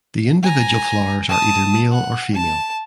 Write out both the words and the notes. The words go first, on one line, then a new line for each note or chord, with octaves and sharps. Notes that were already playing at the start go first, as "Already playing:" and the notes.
The individual flowers are either male or female.
G#5 A#5
A5 D#6
F#5
A5